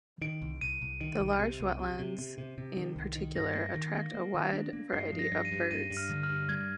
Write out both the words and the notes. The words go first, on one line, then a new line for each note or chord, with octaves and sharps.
The large wetlands in particular attract a wide variety of birds.
D#3 D7
C2
C2 D#7
C2
D#3 D7
C2
C3
C2
C3
C3
C3
C3
C3
D#3
C2
D#3
G2 A#6
A#3
D#3
A#3
A#3
D#3
D4
A#3
G2 C7
F3
A#6
G2
D#7
G2
G2 D#7
G2
F6
D3
F6
G2
G3 G#6